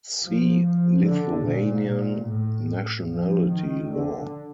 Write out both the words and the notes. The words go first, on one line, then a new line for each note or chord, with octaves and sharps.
See Lithuanian nationality law.
F3
F3
D3
A#2
A#2
A2
F3
D#3
D3